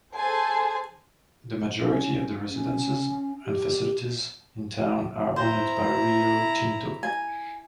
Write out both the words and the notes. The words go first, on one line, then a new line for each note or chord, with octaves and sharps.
The majority of the residences and facilities in town are owned by Rio Tinto.
G#4 A4 C5 G#5 A5
C#4
C#4
G4
E4 C5 A#5
G#5